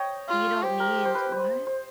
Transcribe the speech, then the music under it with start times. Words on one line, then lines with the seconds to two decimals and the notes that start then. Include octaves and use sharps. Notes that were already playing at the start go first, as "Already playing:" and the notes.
you don't need what?
Already playing: C#5 D#5 G5
0.28 F4
0.62 G4 C5
0.80 A#4
1.05 C5
1.15 B4
1.32 C5
1.67 C5